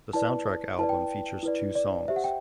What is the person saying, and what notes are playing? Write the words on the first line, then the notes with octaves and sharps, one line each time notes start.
The soundtrack album features two songs.
E4 B4 D5 A5
E4 B4 D5 A5
G5
E4 B4 D5
D5
G4 C5 E5
F#5
G5